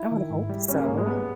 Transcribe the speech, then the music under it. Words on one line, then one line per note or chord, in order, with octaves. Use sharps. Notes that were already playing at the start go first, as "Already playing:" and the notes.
I would hope so.
Already playing: E4
D#3
G#2
G3
G3 C#4
A#3
G#2
G#3
G3 B3